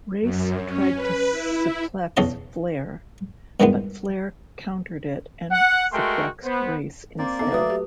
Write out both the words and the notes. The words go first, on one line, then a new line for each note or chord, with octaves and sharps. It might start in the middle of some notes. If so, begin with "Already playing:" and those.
Race tried to suplex Flair, but Flair countered it and suplexed Race instead.
F#2
C#4
B4
E4
B1 E2 C#3 A4 D#5 C6
G2 D#3 E3 G#3 B3
F#5
G#3 A3 F#4 A#4 G5 C6
B3 C5
A#3 C4 D5
B3 D#4 A4 C7
F#3 A3 B4 E5 D#6
G4